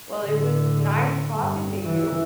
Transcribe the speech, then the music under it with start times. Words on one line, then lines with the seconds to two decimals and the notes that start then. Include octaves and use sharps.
Well, it was nice talking to you.
0.23 A2 D3
1.37 G2
1.85 E3